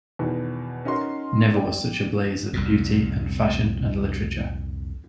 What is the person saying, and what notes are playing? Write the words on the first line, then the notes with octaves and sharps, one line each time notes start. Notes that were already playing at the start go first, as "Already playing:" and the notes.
Never was such a blaze of beauty, and fashion, and literature.
E2 B2 D#3
C#4 D#4 F#4 A#4 C6
D5 G5
C2 F2 A#2